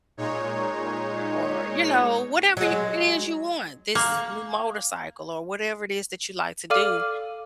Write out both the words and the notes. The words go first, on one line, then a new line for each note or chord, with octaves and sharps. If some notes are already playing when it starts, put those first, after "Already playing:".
or o or, you know, whatever you it is you want. This new motorcycle or whatever it is that you like to do,
A#2 G#3 D#4 C#5
F#3 G#3
A#3
A4 D5 F5 D6 F6 D#7